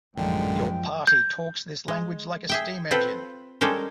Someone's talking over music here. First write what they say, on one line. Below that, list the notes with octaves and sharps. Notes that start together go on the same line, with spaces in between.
Your party talks this language like a steam engine.
A1 F#2 A#2 D3 F3 G#3 G5
G6
G#3
G#4 E5 G5
C4 F4 A4 B4 F#5 G5
G3 G#3 C#4 A4 A#4 C5